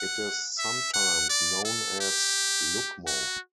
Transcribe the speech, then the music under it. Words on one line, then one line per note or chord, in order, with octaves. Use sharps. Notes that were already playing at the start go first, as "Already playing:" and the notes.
It is sometimes known as lucmo.
Already playing: F#5
E5
F#5
D5
A4
G4
F#4